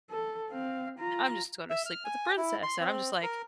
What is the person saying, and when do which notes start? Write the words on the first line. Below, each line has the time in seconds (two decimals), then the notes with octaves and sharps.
"I'm just gonna sleep with the princess," and I'm just like,
0.10 A4
0.50 C4 F5
0.98 F4 A#5
1.70 E5
1.86 F6
2.05 G#5
2.37 E4
2.63 C6
2.80 C4
3.23 A#4